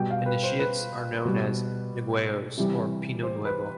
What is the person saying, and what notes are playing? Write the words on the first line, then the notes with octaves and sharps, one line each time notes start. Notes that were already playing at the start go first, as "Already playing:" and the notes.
Initiates are known as "ngueyos" or "pino nuevo".
Already playing: B2 G3 G5
F5
B4
C5
B4
B2 G3
C3 E3 G3
C5
B4